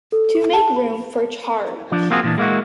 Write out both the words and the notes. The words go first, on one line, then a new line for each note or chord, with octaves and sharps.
To make room, for Charge!
A4
A5
B5
F3 D4
A#3 C4 F4 F#4 G#4
A#2 E3 D4
G#3 A#3 E4 F#4